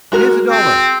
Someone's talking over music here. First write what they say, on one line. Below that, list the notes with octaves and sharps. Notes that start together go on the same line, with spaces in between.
Here's a dollar.
G#3 F#4 A#4
C4